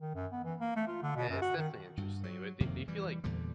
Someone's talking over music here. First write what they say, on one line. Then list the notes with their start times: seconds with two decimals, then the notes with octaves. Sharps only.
i it's definitely interesting, but do do you feel like
0.01 D#3
0.15 F#2
0.32 B3
0.45 E3
0.60 A#3
0.76 A3
0.88 F4
1.03 D3
1.16 B2
1.30 F#2
1.42 F#4
1.57 D#3
1.97 G2
2.24 F#3
2.60 F2 C3 D#3 A#3
2.88 E3 G3
3.24 E2 A#2 D3 G3